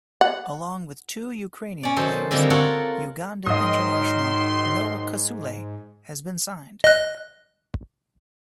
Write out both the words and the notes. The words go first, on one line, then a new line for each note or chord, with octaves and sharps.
Along with two Ukrainian players, Ugandan international, Noah Kasule, has been signed.
F#5
C#4 D5
D#3 F#3 A4 C5
D3 D#3 G3 A#3 C4 E4
F4 A4 A#4 C#5 F#5
G#2 D#3 F#3 D#5 C6 D#6
D#5 F#6